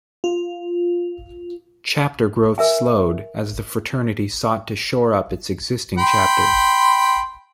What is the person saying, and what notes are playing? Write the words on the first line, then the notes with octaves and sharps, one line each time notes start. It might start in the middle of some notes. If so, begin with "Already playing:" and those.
Chapter growth slowed, as the fraternity sought to shore up its existing chapters.
F4
A#4 E5 G#5
G5 B5 C6